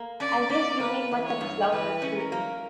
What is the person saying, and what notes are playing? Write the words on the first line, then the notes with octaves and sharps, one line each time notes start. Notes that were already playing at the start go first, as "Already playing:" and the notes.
I guess you ain't much of a slouch at shooting.
Already playing: A#3
C#4 D5
C#4 D5
A#3 B4
E3
C#5
G2
E3 B4
C#4
A#4
A#3